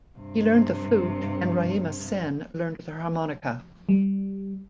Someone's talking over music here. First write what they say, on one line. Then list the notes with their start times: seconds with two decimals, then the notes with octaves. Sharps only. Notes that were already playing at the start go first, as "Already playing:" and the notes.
He learned the flute and Raima Sen learned the harmonica.
0.17 G2 C3
3.89 G3